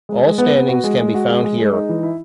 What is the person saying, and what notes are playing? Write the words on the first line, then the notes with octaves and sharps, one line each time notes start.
All standings can be found here.
G#3
G#3
B3
B3
F#4
G#3
G#3
F#4
G#3
G#3
G#3
D#4
E3
E4